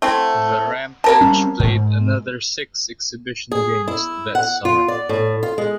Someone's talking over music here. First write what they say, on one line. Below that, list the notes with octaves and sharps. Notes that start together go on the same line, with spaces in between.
The Rampage played another six exhibition games that summer.
A3 C4 E4
A#3 A#4 A5
G3 C4 C#4
G#2
G#4
E4
F#5
F4
D5
A2
F4
G#3